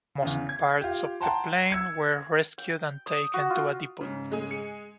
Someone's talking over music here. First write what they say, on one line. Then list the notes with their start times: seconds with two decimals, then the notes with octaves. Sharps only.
Most parts of the plane were rescued and taken to a depot.
0.22 E2 C#3
0.49 G#6
0.81 F4 G4
1.21 F#5 G5 A5 A#5 C6
1.70 E6 G#6 C#7
2.58 G5
3.06 D#6
3.34 F#4
3.50 F4
4.01 G#2 C#3
4.31 G#3 G#4
4.51 C#7